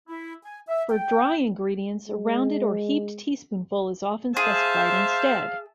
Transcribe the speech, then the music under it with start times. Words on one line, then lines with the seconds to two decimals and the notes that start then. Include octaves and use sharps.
For dry ingredients, a rounded or heaped teaspoonful is often specified instead.
0.08 E4
0.43 G#5
0.68 E5
0.90 G5
2.08 G#3
4.37 G#4 C5 E5 F5 A5